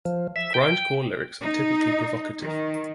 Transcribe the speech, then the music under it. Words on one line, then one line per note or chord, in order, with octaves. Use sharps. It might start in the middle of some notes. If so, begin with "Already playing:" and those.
Grindcore lyrics are typically provocative.
F3
E5
G5
D#4
D#3